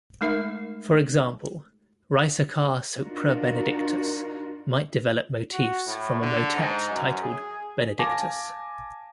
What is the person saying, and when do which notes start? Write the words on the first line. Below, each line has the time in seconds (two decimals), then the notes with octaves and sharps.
For example, "Ricercar sopra Benedictus" might develop motifs from a motet titled "Benedictus".
0.21 G#3 A3 D#4 A#4 E5
3.00 D4 D#4 F4 F#4 A#4
5.53 F#4
5.87 A2
6.21 D3
6.55 G#2
6.90 F#2
7.22 G#4
7.99 F5 G#5 A5 D6 A#6